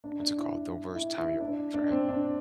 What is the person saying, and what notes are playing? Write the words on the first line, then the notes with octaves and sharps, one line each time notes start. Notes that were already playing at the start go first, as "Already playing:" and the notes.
what's it called? The worst time of your life right?
D4
D4
E4
E4
E4
D4
D4
C4
D4